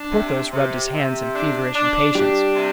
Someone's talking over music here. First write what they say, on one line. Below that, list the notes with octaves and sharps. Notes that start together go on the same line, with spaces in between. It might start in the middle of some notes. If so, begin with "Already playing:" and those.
Porthos rubbed his hands in feverish impatience.
Already playing: D4
C3
C3
C3
D4
D4
G3 D4 G4
C3